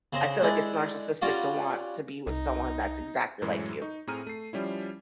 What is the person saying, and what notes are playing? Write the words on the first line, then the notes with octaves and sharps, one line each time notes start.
I feel, like, it's narcissistic to want to be with someone that's exactly like you.
C#3 C4 C5 D#5 G#5
G#3 D4 E4 G#4 A4
G3 C#4 F4 F#4 D5 F5
C2 D#4
F#2 A2 E3 F#3 G#3
D#4 C#6
A2 C4 G#4 A#5 F6 D#7
A3 C7
F3 G3 C#4 E4